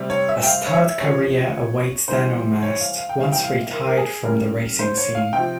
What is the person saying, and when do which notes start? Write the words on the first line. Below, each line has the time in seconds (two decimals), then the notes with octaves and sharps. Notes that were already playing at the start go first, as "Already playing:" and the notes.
A stud career awaits Dano-Mast once retired from the racing scene.
Already playing: C3 G3
0.10 C#5
0.29 E5
0.43 G5
0.46 F5
0.67 C#5
0.73 E5
1.00 C#3 F3 C#5
2.08 C3 E3 G3 C5
2.63 C#5
2.81 F5
2.98 F5
3.09 G5
3.17 C3 E3 G3 F5
3.32 G5
3.44 F5
3.71 A#4
3.87 A#4
3.97 G#4
4.25 C#3 G3 A#4
4.79 C5
4.97 C#5
5.15 F5
5.33 C3 F3 G5